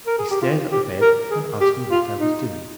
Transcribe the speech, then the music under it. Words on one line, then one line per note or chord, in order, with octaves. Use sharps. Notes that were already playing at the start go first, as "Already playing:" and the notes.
He stared at the bed, and asked me what I was doing.
A#4
G#4
G4
F4
G4
A#4
G#4
G4
F4
D#4